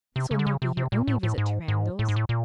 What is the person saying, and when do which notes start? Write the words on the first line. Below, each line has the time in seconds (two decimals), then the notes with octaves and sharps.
"This will not be your only visit to Randalls."
0.16 C3
0.31 C#3
0.39 D3
0.47 C#3
0.62 C3
0.77 C3
0.92 A#2
1.07 A2
1.23 A2
1.38 G#2
1.68 G#2
1.99 A2
2.08 G#2
2.16 A2
2.29 A#2